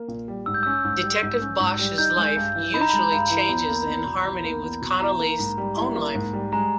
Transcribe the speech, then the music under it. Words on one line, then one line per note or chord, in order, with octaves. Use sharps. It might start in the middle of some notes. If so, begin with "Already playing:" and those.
Detective Bosch's life usually changes in harmony with Connelly's own life.
Already playing: A#3
A#2
G3
G#2 E6
G6
C#4 E6
G#2
G3
G#2
C#4
G#2
G3
D#4 G6
G#3
G2
E3
D#4 B5
A#5
G#3 B5
G2
E3
E2
A#3
E2
B2
E2
A#3
E2
B2
E4 A#5
A#3
G#2
G3
E4
A#3
G#2
G3
G#3 A#5